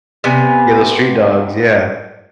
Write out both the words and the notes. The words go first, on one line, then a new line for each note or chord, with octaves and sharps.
Yeah, those street dogs, yeah.
C3 B3 G#5